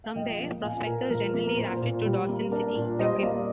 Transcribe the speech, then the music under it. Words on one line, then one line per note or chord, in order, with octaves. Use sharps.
From there, prospectors generally rafted to Dawson City, Yukon.
F5
F3 D#5 G5
A#3
A#2 F5 G#5
A#2 A#4
F3 A#4
A#3
A#4
A#2 C5
A#2
G3
A#3
D4 A#4 D5
A#2
G3 C5 D#5
A#3 D5 F5